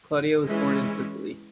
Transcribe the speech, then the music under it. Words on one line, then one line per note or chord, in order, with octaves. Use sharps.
Claudia was born in Sicily.
E3 G#3 C#4 E4